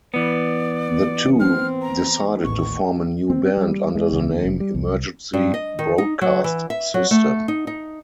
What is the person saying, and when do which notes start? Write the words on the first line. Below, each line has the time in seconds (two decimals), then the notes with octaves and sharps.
The two decided to form a new band under the name Emergency Broadcast System.
0.14 E3 B3 D5
1.40 C4 F6
1.82 A#5
2.44 A1 D#2 C#6
3.30 C4
3.57 G3
3.95 G#3
4.12 C#2
4.30 D#2
4.45 F1
4.60 G3
4.75 C2
5.33 G2
5.54 D#5
5.79 D#3
5.98 D#4
6.21 F#3
6.44 E3
6.70 E5
6.94 F#3
7.11 A3
7.48 D#4
7.67 D#4